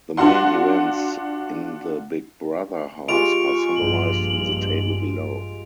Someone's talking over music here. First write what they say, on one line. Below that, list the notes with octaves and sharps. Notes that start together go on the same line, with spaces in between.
The main events in the Big Brother house are summarised in the table below.
D4 F4 F#4 F#5 C6
G#3 F4 G4 C#6 D7 F7
A#1 G2 F#7